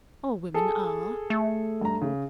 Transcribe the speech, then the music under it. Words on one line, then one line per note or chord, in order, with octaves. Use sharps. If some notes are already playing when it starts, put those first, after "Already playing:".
All women are.
G#4 A4
A3
G2 A#5
C#3